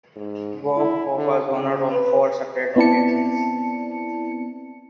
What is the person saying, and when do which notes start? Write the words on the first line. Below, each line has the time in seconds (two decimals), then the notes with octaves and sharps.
Bob Hope was honored on four separate occasions.
0.16 G#2
0.77 E4
1.17 D3
1.51 C#3
1.92 B4
2.76 B3 C4 E4 D5 A5 C#7